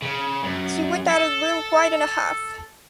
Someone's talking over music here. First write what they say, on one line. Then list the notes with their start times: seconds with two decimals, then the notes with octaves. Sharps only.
She went out of the room quite in a huff.
0.02 C#3
0.42 F#2
1.10 A4